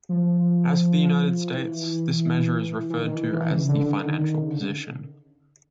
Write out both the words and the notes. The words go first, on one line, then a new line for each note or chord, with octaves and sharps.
As for the United States, this measure is referred to as the financial position.
F3
E3
E3
D#3
E3
E3
C#3
D3
D#3
C#3
D3